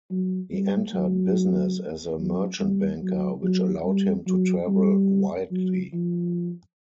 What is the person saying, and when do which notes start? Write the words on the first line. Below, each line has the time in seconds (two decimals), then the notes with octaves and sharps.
He entered business as a merchant banker, which allowed him to travel widely.
0.11 F#3
0.53 G3
0.94 F#3
2.19 F#3
2.60 G3
3.02 F#3
3.43 F#3
3.85 G3
4.26 F#3
4.68 G3
5.51 F#3
5.93 F3